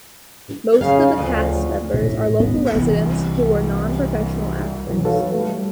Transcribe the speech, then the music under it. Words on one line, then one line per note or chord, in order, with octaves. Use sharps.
Most of the cast members are local residents who were nonprofessional actors.
C#3 F5
D2 F3
A2
B3
C2 E3
F#2 B2 E3 F#3
D#4 F#4 A4 B4 C#5 F5
G3 A3